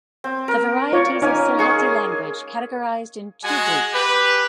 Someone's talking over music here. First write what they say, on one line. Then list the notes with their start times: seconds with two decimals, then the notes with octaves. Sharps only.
The varieties of Sylheti language categorised in two groups.
0.24 C4
0.48 A#4
0.93 F4 C#5 D5
1.22 A#3 C#4 D#4 G#5
1.59 G#3 G#4 C#6
3.43 G#3 F#4 G#5
3.93 G4 B4